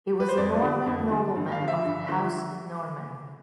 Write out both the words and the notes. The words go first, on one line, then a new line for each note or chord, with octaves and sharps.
He was a Norman nobleman of the House of Normandy.
B4
C5
F2 D5
D3 G3
F2
D3 G3
G2
F5
D3 F3
E5
G2
D3 F3